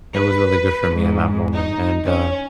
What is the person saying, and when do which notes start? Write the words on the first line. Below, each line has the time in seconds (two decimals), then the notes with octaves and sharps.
It was really good for me in that moment and, uh,
0.15 B4
0.96 G#2
1.54 D#4
2.06 C#4